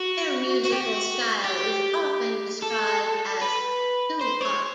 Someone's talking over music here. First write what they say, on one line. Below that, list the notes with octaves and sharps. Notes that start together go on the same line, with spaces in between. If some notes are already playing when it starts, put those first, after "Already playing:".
Their musical style is often described as doo-wop.
Already playing: F#4
F#4
G4
F#4
G4
A4
B4
C5
C#5